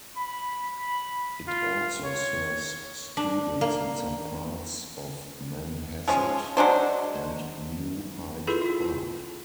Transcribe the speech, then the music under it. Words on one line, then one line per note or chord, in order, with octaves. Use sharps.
It also serves students in some parts of Manhasset and New Hyde Park.
B5
B5
F4
C#5
D4
A#3
F3 G#3 C#4
F#3 G#3 D4 C5
E4 F4 G#4 A4 B4 B5
E4 F4